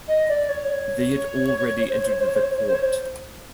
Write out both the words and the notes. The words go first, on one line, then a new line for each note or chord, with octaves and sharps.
They had already entered the court.
D#5
D5
C#5
D5
C#5
C#5
C5
C#5
C5
C#5
C5
C#5
C5
C#5
C5
C#5
C5
C#5
C5